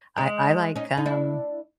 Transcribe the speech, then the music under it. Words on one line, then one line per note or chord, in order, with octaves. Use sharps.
I I like, um
G#3 C#4 D#4
C#4 D#4
D#4
D4 E4